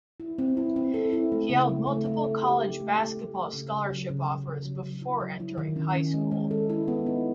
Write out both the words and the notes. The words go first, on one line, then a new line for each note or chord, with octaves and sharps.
He held multiple college basketball scholarship offers before entering high school.
E4
C4
E4
C4
A4
E4
A3
C#3
A3
A3
A3
A3
G4
D4
A3
A3
A3
A3
C#3
C#3
F#3
C#3
C#3
C#3
F#3
F#3
E4
F#3
E4
D#3
C#4
C#4
G#3
G#3
A4
E4
B3
D#4